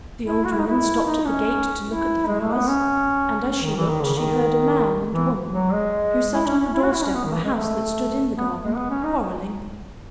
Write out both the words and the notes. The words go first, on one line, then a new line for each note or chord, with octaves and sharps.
The old woman stopped at the gate to look at the flowers; and as she looked she heard a man and a woman, who sat on the door-step of a house that stood in the garden, quarreling.
E4
F#4
E4
D#4
E4
D#4
C#4
E4
G#3
A3
B3
C#4
C#4
D#3
E3
D#3
C#3
D#3
E3
F#3
G#3
E4
C#4
C#4
E4
F#4
E4
C#4
B3
D#3
E3
G#3
A3
B3
G#3
B3
C#4
D#4